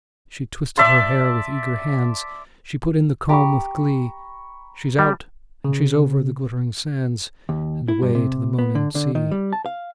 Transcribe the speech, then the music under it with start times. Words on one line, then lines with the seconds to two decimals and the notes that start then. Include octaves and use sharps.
She twisted her hair with eager hands, She put in the comb with glee: She's out and she's over the glittering sands, And away to the moaning sea.
0.77 D5 E5 A5 C6
3.29 G4 A#5 B5 C#6
4.99 G3
5.65 C#3
7.49 D#2
7.88 E4
8.02 G2
8.15 C3
8.59 B3
8.75 D3
8.95 D3
9.15 D#3
9.31 G3
9.53 A5
9.66 F5